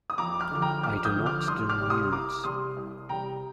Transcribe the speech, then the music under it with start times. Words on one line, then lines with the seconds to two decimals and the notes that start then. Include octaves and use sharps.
I do not do nudes.
0.10 D#6
0.18 F2 A#5 D6
0.40 D6 F6
0.51 D3 F3
0.62 G5 A#5
0.83 F2 D6 F6
1.05 D#6 G6
1.16 D3 F3
1.26 D6 F6
1.47 C2 C6 D#6
1.69 D6 F6
1.80 C3 G3
1.90 C6 D#6
2.12 C2 A#5 D6
2.44 C3 G3 C6 D#6
2.77 C2
3.09 C3 G3 G5 A#5